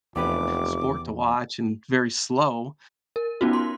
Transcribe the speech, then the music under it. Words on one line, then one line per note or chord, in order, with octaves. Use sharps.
sport to watch and very slow.
F1 E2 G4 B4 D6
A#4
B3 C#4 D#4 F4 F#4
C6